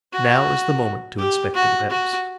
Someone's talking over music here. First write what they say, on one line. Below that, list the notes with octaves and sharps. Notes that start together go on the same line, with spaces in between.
Now is the moment to inspect the webs.
F#4
G4
F#4
F#4